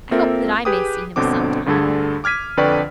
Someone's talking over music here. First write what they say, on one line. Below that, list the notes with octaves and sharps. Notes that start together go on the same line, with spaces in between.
I hope that I may see him sometime.
A#3 C4 F4 A4 A#4 E5
G4 G#4 B4 G5 D6 D#6
G1 B2 D3 C4 D6
D2 G2 D3 G#4 A4 G#6
D6 F6 G#6 B6 D#7
F2 D3 B4 D5 G5 C#6